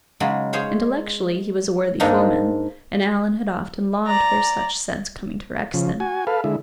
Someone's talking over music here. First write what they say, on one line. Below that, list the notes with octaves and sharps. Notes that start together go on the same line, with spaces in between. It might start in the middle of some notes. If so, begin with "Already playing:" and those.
Intellectually he was a worthy foeman, and Alan had often longed for such since coming to Rexton.
C#3 F#3 G#3
G#4 C5 C#5 F5
G#2 G#3 A#3 D4 D#4
D5 A#5
C#3 F3
F#4 G#5
A4 B4 F5
D3 G#3 E4